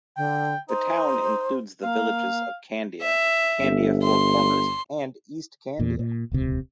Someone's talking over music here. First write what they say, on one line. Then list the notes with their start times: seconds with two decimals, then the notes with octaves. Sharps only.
The town includes the villages of Candia, Candia Four Corners and East Candia.
0.17 D3 G5
0.69 D#4 C5
1.83 A#3 F5
3.02 E5
3.60 G1
4.03 C6
5.80 E2 A#2
5.99 A#2
6.32 D#1 C#2 C3